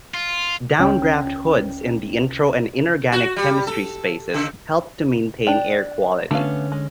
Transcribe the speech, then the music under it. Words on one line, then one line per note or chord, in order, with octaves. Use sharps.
Downdraft hoods in the intro and inorganic chemistry spaces help to maintain air quality.
F4
C#2 C#4 G5
F#4
G3
A4
C#3
D4 G5
D3 A3 B3 C#4 F5
G#3